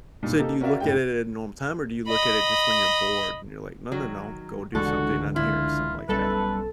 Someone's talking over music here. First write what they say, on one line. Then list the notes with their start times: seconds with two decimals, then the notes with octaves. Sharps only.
So, do you look at it at a normal time, or do you look at it just when you're bored and you're like, "No, No, No, go do something on here," or something like that?
0.23 G2 A#2 D#3
0.38 A#3 D#4 G4 A4
0.61 C#4 F#4 A#4 D5 E5 F5
0.80 G1 A2 C#3 G#3 G5
2.08 D#5 B5
3.92 D#3 F#3
4.75 C#2 D3 E3 G#3 F#4 A4
5.36 E4 F4
6.09 B1 G3 A3 C#4 A4 B4